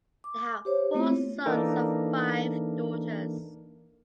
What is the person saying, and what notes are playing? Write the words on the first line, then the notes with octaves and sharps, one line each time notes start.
They had four sons and five daughters.
D6
G4 C5 C#5
A3 B3 C4 E4 F4 C#5
E3 A#3 D4 D#4 A4 A#4